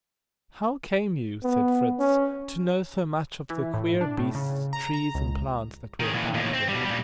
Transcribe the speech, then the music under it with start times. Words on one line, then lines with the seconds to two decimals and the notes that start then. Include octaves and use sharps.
"How came you," said Fritz, "to know so much of the queer beasts, trees, and plants that we have found here?"
1.44 B3
1.99 C#4
3.50 E3
3.74 A2
4.01 D4
4.17 A2
4.35 C#3
4.73 A#5
4.94 A#5
5.15 C#2
6.00 D#3 G#4
6.14 A#2 E3
6.34 D#2 A2
6.54 C4
6.69 B2 G3
6.85 A#2 G3